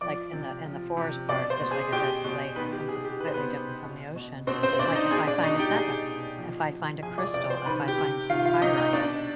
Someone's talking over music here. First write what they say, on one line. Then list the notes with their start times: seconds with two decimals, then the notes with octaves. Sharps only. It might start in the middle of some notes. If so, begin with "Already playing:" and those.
like, in the in the forest part 'cause, like I said, it's a lake, completely different from the ocean. Like, if I find a feather, if I find a crystal, if I find some pyrite,
0.01 F3 D5 D6
0.33 C3
0.65 F3
0.97 C3
1.29 B2 D5 D6
1.50 C5 C6
1.61 B2
1.71 G#4 G#5
1.92 B2 G4 G5
2.24 B2
2.56 D#3 B3 B4
2.72 G4
2.88 C3 G#4
3.04 G4
3.20 D#3 B4
3.27 C5
3.34 B3 B4
3.52 C3
3.84 B2
4.16 B2
4.47 B2 C4 C5
4.63 C4 C5
4.73 C5
4.79 B2 D4 D5
4.95 D#4 D#5
5.11 B2 G#4 G#5
5.27 D4 D5
5.43 B2 D#4 D#5
5.59 G4 G5
5.75 B2 G#4 G#5
6.07 B2
6.38 F3
6.71 C3
7.02 F3 G#4 G#5
7.18 D5 D6
7.34 C3 D5 D6
7.50 C5 C6
7.66 D#3 B4 B5
7.88 G4 G5
7.98 C3
8.30 D#3 F4 F5
8.46 F4 F5
8.62 C3 D#4 D#5
8.77 D#4 D#5
8.93 B2 D4 D5